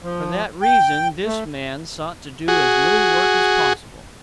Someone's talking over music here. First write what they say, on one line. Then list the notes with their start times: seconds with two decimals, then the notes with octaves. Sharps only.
For that reason this man sought to do as little work as possible.
0.02 F3
0.62 G5
1.25 A3
2.48 F#4 G#4